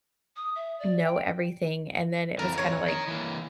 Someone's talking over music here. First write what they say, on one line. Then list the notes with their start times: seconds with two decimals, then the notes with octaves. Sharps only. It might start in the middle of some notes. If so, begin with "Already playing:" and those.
know everything, and then it was kinda like,
0.36 D#6
0.55 E5
0.79 D5
1.03 G5
2.39 F2 E3 A#4
2.58 C#5
2.88 A#4 D#5
3.08 E3 A#3